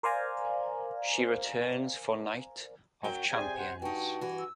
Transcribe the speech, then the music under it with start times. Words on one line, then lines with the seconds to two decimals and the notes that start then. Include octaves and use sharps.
She returns for Night of Champions.
0.03 A#4 C5 D5 F5 G#5 A#5
3.04 F#2 F#3 G5
3.31 C3 G#4 C5 D5 G#5
3.56 C5 F#5
3.82 G2 D#4 F#4 G5 A5 C#6
4.21 E3 F#4
4.38 E6